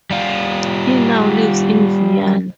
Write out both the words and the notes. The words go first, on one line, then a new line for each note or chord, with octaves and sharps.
He now lives in Vienna.
G3 F4